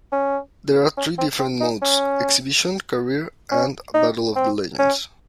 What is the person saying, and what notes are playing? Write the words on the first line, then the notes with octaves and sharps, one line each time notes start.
There are three different modes: 'exhibition', 'career', and 'battle of the legends'.
C#4
C#4
C4
C4
D#4
C#4
C#4
D#4
C4
C#4